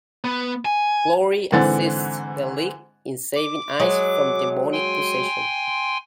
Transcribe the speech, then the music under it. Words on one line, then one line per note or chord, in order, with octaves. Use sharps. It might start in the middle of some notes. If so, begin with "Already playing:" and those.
Glory assists the League in saving Ice from demonic possession.
B3
G#5
G#2 D3 E3 C4 F#5 A6
D6
F#3 G#3
G5 G#5 C6